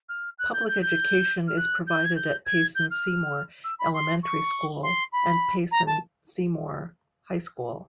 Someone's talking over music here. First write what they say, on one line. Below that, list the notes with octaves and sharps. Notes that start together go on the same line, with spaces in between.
Public education is provided at Payson-Seymour Elementary School and Payson-Seymour High School.
F6
F#6
G6
G6
G6
F6
F#6
G6
G#6
G6
G#6
G6
F6
E6
B5
C6
C#6
C6
B5
A#5
A5